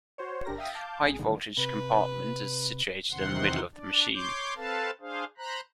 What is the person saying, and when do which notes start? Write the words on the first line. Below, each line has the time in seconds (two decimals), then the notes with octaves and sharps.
High voltage compartment is situated in the middle of the machine.
0.18 F#4 C5 C#5
0.45 G1 D4 G4 A#4 A#6
0.58 E5 F5 G5 D#6 B6
0.75 F5 A5 D6 G6
1.02 G#1 G#4
1.19 G2 A#2 D3 D#3
1.57 C3 B4
3.11 E2 C3 D#3 C4 F#5 C6
3.75 D4 D5
4.14 C#5 C6 D6 G6
4.56 C4 A4 B4 F5 A5
5.01 D4 G#4 C5 F5
5.38 C5 A#5 B5 F#6